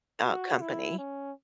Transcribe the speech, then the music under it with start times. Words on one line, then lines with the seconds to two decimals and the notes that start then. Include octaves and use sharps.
uh, company,
0.25 F#4
0.61 E4
0.98 C#4